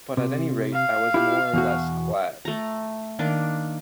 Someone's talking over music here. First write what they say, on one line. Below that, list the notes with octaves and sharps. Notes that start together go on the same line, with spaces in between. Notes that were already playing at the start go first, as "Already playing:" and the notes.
But at any rate I was more or less clad.
C3
F5
E4 F4 G4
E2 B2 F#4
A3 A#5
D#3 A#3 D4